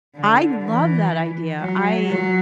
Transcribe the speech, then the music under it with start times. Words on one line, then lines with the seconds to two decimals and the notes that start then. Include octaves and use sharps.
I love that idea, I
0.16 D3
0.64 E3
1.60 F#3
2.08 F#3